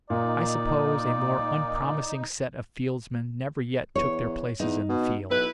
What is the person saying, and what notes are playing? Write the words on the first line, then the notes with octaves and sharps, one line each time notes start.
I suppose a more unpromising set of fieldsmen never yet took their places in the field.
A#2 D#4 D5
E2 C#5
E2 D#4
B2
B1 E4 B4